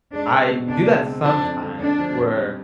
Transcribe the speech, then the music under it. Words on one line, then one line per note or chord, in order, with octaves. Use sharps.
I do that sometimes where
G#3 D4
C4
B2
C#2 D4
G#3
C4
F3 D4
F2
D3
F2 D4
F3
F2
G3